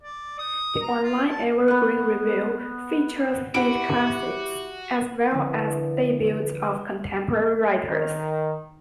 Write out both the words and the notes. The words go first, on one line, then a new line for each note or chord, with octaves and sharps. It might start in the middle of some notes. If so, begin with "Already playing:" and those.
The online "Evergreen Review" features Beat classics as well as debuts of contemporary writers.
D5
D#6
A#5
F4
A5
B3 F#5
E4 F#4 G4 F#5 D7
A#1 D3 E3
D#3